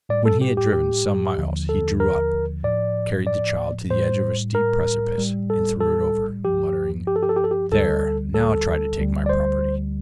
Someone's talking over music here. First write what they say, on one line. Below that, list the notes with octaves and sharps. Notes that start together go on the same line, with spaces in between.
When he had driven some miles he drew up, carried the child to the edge of a steep precipice and threw it over, muttering, 'There, now try to take my property!'
A2 G3 D5
A4
G4
G4
G4
D#2 D3 F3
A4
A#4
A2 F3 D5
D5
A2 G3 C5
A#4
A2 G3
A4
A4
G2 F3 G4
G4
A4
G4
A4
G4
A4
G4
D2 D3 G3 A4
A4
D2 D3 G3
D5
C5